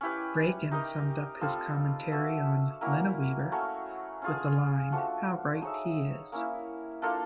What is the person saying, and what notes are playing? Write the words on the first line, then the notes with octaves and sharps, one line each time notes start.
Reagan summed up his commentary on Linaweaver with the line, How right he is!
C#4 E4 G4 B4
D#4 G4 A#4 D#5
G3 C4 F4 A4
D4 F#4 B4 E5
F#3 A#3 C#4 E4
F#3 A3 C#4
C#4 F4 G#4
F3 A3 D4 F#4
D#4 G#4 C#5 E5
A#3 C#4 E4
A#3 D4 F4 A4